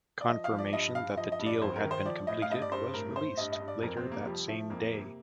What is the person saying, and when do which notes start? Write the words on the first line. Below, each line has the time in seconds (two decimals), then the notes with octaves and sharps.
Confirmation that the deal had been completed was released later that same day.
0.21 D5
0.29 F3 D#5
0.44 F5
0.51 F3
0.59 D5
0.73 G2 D#5
0.95 G2 F5
1.17 F3 D#5
1.32 D#5
1.39 G2
1.46 D5
1.61 F2 C5
1.76 A#4
1.84 D#3
1.91 C5
2.06 F3 D5
2.27 A2 D#5
2.42 F5
2.50 G2 D#5
2.62 D5
2.72 G2 C5
2.93 A2 A#4
3.16 A2 C5
3.37 G2 D#5
3.52 D#5
3.60 G2
3.68 D5
3.82 F2 A#4
3.97 C4
4.04 C3
4.12 A#3
4.26 F3 G3
4.48 F3 A3
4.70 F2 A#3
4.93 C3